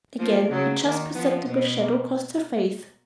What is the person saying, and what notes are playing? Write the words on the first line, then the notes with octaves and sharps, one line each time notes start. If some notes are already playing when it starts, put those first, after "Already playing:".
Again a just perceptible shadow crossed her face.
F3 A#3
C#3 F#3
D#3 A#3
F3 B3
B2 B3
A#3